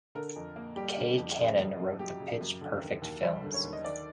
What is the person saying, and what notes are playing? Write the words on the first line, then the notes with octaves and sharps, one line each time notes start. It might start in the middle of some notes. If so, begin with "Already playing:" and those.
Kay Cannon wrote the Pitch Perfect films.
D3 A#4
F2
A#3
G3 G4
D3
F2
C#3
F#2
F#2
F#3 G4
C#3
F#2
D3
D#2
D#2
G3 C5
D3
C#5
D#2
D#5
D#3 D5